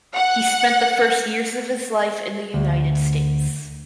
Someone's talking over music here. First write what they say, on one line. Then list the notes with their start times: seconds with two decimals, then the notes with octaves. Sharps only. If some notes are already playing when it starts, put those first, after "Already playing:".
He spent the first years of his life in the United States.
0.16 F#5
2.54 D2